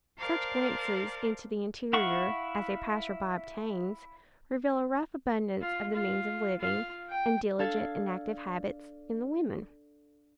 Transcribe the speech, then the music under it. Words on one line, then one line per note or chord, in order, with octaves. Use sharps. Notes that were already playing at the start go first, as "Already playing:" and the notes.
Such glimpses into the interior as a passer-by obtains, reveal a rough abundance of the means of living, and diligent and active habits in the women.
A#4 C5 D5 F5 A5
E4 F5 F#5 C#6
F4
F4
F4 F5
G5
D4 A4 F5 A5 G#6 A6